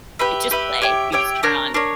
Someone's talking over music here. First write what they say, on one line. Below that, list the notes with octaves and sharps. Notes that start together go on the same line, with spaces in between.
it's just play. You just turn on
G4 B4 E5
G4 B4 E5
G4 C#5 E5 G5
G4 C#5 E5 G5
D4 A#4 C#5
D4 A#4 C#5